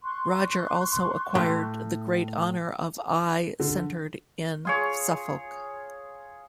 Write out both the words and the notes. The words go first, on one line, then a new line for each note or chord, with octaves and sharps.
Roger also acquired the great honour of Eye centered in Suffolk.
C6 C#6 F#6
A2
D3
F4 G#4 C#5